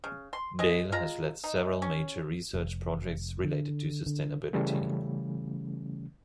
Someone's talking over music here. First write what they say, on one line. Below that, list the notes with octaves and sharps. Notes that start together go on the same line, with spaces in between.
Dale has led several major research projects related to sustainability.
C#3
C6
G#3 D#5
G#3 F4 A#5
D#4
C#4
F1
D3
D3
C#3 E3 G3 A3 C#4